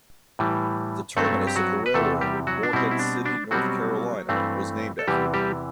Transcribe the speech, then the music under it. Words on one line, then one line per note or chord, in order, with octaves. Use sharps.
The terminus of the railroad, Morehead City, North Carolina, was named after him.
A2 E3 G3
G2 F#3 A3 C4 A4
G4
F#3 F#4
B4
E2 C3 E3 A3 A4
G3 G4
F#3 F#4
D4
B2 G3 C4 E4
E4
D4
D4
B2 F#3 G3 C4 F#4
G2 E3 A3 C4
A4
E2 C3 E3 G3 G4
G3 G4